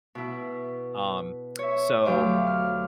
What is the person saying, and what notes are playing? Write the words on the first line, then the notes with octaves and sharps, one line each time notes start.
Um, so
B2 E4
C#5 E5
D2 F#3 G4 F5 D6
F6